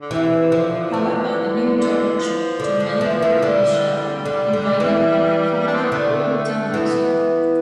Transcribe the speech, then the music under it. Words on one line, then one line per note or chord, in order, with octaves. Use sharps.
However, the new Doge, Domenico Michele, invaded and reconquered all Dalmatia.
D3
C3 E3
D3 F3
E3
D3
F3
D3
D3
E3
E3
D3 G3
D3
D3
E3
D4
C4
B3
D3 A3
E3 B3